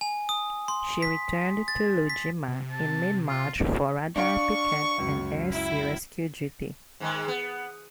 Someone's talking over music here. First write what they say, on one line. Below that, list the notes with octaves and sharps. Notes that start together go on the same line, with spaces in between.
She returned to Iwo Jima in mid-March for radar picket and air-sea rescue duty.
G#5
D#6
C6
B6
A6
B6
C3
A5
F4
D4 F5 C#6 D7
C#2 F#2
E4
G#2 D#3 G#3
B3